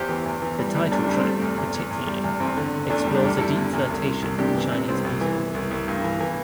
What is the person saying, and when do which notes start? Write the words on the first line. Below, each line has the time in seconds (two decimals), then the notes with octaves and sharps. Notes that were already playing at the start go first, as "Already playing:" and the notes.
The title track, particularly, explores a deep flirtation with Chinese music.
Already playing: E2 G4 C5
0.09 E3
0.26 E2
0.42 E3
0.59 G3
0.75 G3
0.91 E2 A3 D4
1.04 G3 A3 D4
1.16 C4
1.25 G3 A3
1.42 E2
1.58 E2
1.74 E2
1.91 E2
2.07 G3
2.24 E2
2.40 E2 C4
2.57 D3
2.74 D3
2.90 E2 A3 D4
3.06 G3
3.15 D4 G4
3.23 E2
3.39 G3 E4 A4
3.56 D3
3.73 E2
3.89 C2
4.06 C3
4.22 C2
4.39 C3 D4 G4
4.56 E3
4.72 C3
4.88 C2 C4
5.04 C2
5.21 E3
5.38 E3
5.54 C2
5.71 C2
5.88 G2
6.04 E3
6.20 E3